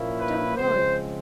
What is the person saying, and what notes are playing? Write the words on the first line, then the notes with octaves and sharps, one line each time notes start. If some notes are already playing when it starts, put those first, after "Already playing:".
Don't worry!
Already playing: A#2 F3 A#3 C#4 E4
B4
C#3 F3 G#3 C4 C5